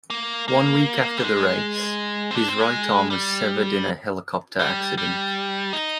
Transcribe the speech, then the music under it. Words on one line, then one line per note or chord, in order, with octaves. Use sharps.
One week after the race, his right arm was severed in a helicopter accident.
A#3
A#3
G3
G#3
C4
D4
C4
G#3
G3
G3
G3
D#4